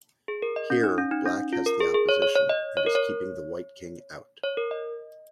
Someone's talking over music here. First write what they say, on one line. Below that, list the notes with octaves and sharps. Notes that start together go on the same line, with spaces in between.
Here, Black has the opposition, and is keeping the white king out.
G#4
A#4
D#5
C#4
D#4
C#4
D#4
C#4
F4
A#4
G#4
G#4
C#5
C#5
C#5
D#5
C#5
A#4
C#5
C#5
A#4
D#5